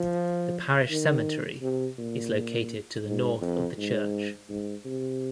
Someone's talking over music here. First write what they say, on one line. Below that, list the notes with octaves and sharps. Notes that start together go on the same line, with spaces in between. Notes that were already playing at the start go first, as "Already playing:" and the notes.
The parish cemetery is located to the north of the church.
Already playing: F3
D#3
C3
A#2
G#2
F2
G#2
G#2
C3